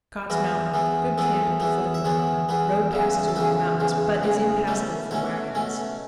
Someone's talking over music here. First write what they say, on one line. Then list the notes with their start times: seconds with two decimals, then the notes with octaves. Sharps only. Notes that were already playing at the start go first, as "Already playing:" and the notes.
Scott's Mountain.--Good camp at the foot of the mountain. Road passes over the mountains, but is impassable for wagons.
0.30 E2 E3 B3 F#4
0.74 E2 E3 B3
1.18 E2 E3 B3 A4
1.61 E2 E3 B3
1.94 E5
2.05 E2 E3 B3 C#5
2.49 E2 E3 B3
2.92 E2 C#3 E3
3.28 A4
3.36 E2 C#3 E3 B4
3.80 E2 C#3 E3
4.23 E2 C#3 E3
4.67 B2 A3 C#4
5.11 B2 A3 C#4 C#5
5.55 B2 A3 C#4